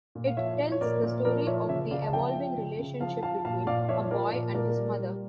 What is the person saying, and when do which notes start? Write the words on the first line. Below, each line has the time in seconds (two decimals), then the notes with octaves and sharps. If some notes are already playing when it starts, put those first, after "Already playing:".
It tells the story of the evolving relationship between a boy and his mother.
0.15 A#2
0.27 F5
0.37 F3 C#5 E5
0.59 F3
0.72 C#5
0.81 A#2 A#4 D5
1.03 A#2
1.25 F3 A#4 D5
1.47 F3 C#5 E5
1.69 C#3 C#5 E5
1.91 C#3 D5 F5
2.02 A5
2.13 F3 E5 G5
2.35 F3
2.57 C#3
2.79 C#3
3.00 F3 F5 A5
3.22 F3 F5 A5
3.45 A#2 F5 A5
3.67 A#2 D5 F5
3.89 F3 C#5 E5
4.11 F3 A#4 D5
4.33 A#2
4.54 A#2 A#4 D5
4.76 G3
4.98 G3